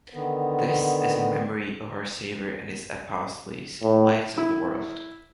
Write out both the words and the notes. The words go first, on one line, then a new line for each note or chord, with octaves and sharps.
This is in memory of our Savior and his Apostles, lights of the world.
D3 D#3 B3
A2
E4